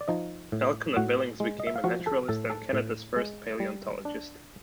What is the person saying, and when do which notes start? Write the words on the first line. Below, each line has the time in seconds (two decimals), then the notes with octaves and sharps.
Elkanah Billings became a naturalist and Canada's first paleontologist.
0.01 D5
0.08 F3 D#4 D#5
0.52 A2
0.96 A2 F#4 F#5
1.40 G#3
1.60 D#5
1.67 E5
1.76 F5
1.84 F3 F#4 F#5
2.06 A4 A5
2.29 A2 A4 A5
2.50 A4 A5
2.73 A2
3.16 G#3
3.60 G3
4.05 D4